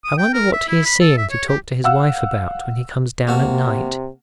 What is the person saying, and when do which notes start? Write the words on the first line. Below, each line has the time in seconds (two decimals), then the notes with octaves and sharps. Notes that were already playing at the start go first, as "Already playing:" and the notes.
I wonder what he is seeing to talk to his wife about when he comes down at night?
0.04 D#6
0.18 G5
0.34 A#4
0.53 E5
0.68 E4
0.85 B5
1.01 A4
1.17 E5
1.31 C#5
1.48 G4
1.84 F5 F#5 E6
3.27 C3 A#3 F#4 A5